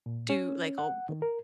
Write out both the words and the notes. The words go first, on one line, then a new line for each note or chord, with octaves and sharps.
do, like, o b
A#2
C#4
F#5
D#3
A#4